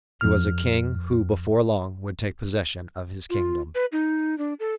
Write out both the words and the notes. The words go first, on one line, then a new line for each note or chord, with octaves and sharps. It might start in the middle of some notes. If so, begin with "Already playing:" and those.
He was a king who before long would take possession of his kingdom.
F2 F6
F4
B4
D#4
D4
A4